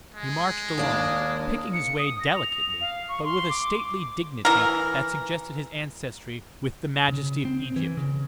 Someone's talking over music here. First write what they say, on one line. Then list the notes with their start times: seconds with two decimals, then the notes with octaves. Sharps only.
He marched along, picking his way delicately, but with a stately dignity that suggested his ancestry with the majesty of Egypt.
0.14 G#3
0.78 D#2 A#3 D4 D#6
1.73 C#7
1.98 D#6
2.20 A#6
2.36 F7
2.81 F5
3.09 C#6
3.24 C6
3.49 D6
4.45 E3 A#4
7.08 C#3
7.45 C4
7.76 E3
7.97 C#3